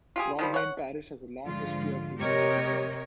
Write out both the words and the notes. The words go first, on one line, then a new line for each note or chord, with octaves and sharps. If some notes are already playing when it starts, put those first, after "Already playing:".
Broadmayne parish has a long history of human settlement.
F4 G4 G#4
D#3 F3 G3
C#5 F#5
G#2 D3 F3 G#3 F4
C3 G4 A#4 C#5 D#5